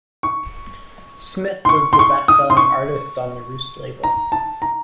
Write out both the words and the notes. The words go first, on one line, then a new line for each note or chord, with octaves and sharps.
Smith was the bestselling artist on the Roost label.
C#6
C6
C#6
C6
C#6
D#6
C6
C#6
A#5
A5
A#5